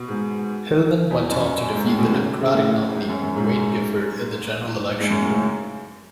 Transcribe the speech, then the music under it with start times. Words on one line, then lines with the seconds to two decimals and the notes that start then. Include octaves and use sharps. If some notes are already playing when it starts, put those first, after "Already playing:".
Hillman went on to defeat the Democratic nominee, Wayne Gifford, in the general election.
Already playing: B2
0.08 G#2
1.10 E2
1.31 F#2
1.72 G#2
1.86 A2
1.99 B2
2.12 C#3
2.41 C#3
2.53 A2
2.94 G#2
3.09 F#2
3.22 F#2
3.36 G#2
4.99 G#2
5.09 F#2
5.20 A2
5.30 C#3